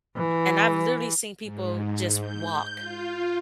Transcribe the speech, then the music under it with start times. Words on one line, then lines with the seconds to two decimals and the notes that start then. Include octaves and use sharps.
and I've literally seen people just walk
0.16 E3
1.42 G#2
2.19 G6
2.79 F4